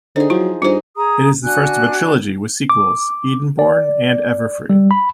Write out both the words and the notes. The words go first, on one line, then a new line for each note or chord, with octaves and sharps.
It is the first of a trilogy, with sequels "Edenborn" and "Everfree".
D3 D#4 G#4 C5
F3 F#3 E4
G2 D#4 F4 G#4 C5
G#4 A#5 D#6
D4 F#4 G#5 F#6
D6
D5
G3
B5